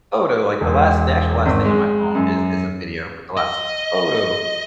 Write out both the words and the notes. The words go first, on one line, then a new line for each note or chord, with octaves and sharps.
photo, like, the last the actual last thing on my phone is is a video, but the last photo
E1
G#1
G#3
F#2
D#5